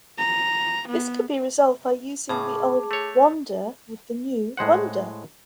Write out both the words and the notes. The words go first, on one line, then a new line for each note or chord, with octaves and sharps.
This could be resolved by using the old "wander" with the new "wunder".
A#5
B3
A2 C#3 G#4 A5 D6
A3 C#5
A2 G#3 C5 F#5